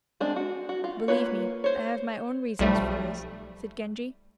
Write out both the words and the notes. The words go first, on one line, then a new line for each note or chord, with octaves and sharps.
"Believe me, I have my own reasons for this," said Genji.
G#3 C4 D4
F#4
F#4
F4
A#3 F4 B4 C#5
C5 C#5
B1 F3 G3 A3